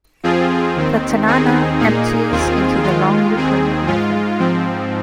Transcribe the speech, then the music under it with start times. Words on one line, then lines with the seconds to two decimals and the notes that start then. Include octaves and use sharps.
The Tanana empties into the long Yukon River.
0.23 F2 F3 C4 F4 G#4
0.75 D#2 D#3 C4
1.27 D#2 D#3 C4 D#4 G#4
1.79 A#2 A#3 D#4 G#4
2.31 D#2 D#3 C4 F4 G#4
2.83 D#2 D#3 G#3 F4
3.35 D#2 D#3 C4 G#4
3.87 G#2 G#3 F4
4.39 G#2 F3 C4